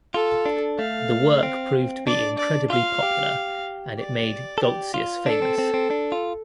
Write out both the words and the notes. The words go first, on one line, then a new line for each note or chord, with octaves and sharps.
The work proved to be incredibly popular and it made Goltzius famous.
F4 A4
D4
A3 F5
C4
D4 D5
D5
F4 F5
G4
D5
A4
G4
F4
D4 A4
C4
C4
C4
D4
F4